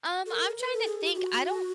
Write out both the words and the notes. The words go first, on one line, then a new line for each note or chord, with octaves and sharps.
Um, I'm trying to think, I don't
A4
A#4
B4
A4
G#4
G4
F#4